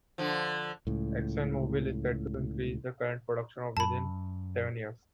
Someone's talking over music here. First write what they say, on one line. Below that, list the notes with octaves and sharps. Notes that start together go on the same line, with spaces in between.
ExxonMobil is set to increase the current production of within seven years.
D3 F3
C#2 A2
F#2 A5 B5